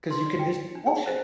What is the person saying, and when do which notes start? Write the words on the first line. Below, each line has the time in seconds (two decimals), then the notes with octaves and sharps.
'Cause you can just wash it.
0.11 C6
0.26 D5
0.39 G5
0.75 D4
0.87 G#4
1.06 C5